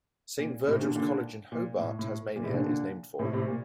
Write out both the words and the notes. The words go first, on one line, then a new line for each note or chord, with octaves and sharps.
Saint Virgil's College in Hobart, Tasmania is named for him.
A#2
A2 C3
A#2 D3
A#2 D3
A#2
A2
A2
A#2
A2 C3
A#2 D3
A#2 D3
A2 C3
A2 C3
A#2